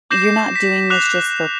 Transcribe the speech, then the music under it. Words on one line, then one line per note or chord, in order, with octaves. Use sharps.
"You're not doing this just for
D6 G6 A#6 C7 E7
B6
D6 F#6 C7 E7 F7